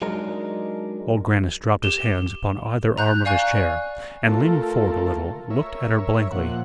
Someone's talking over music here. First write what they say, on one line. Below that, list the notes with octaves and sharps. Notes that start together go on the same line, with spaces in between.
Old Grannis dropped his hands upon either arm of his chair, and, leaning forward a little, looked at her blankly.
F#3 G#3 D4 D#4 A#4
G4 E7 G7
A#5 F#6 G6
D5 F5 G#5 C#6 F#6
A3 F4 A4 A#4
A#4 C#5 E5
A#2 F3 F#5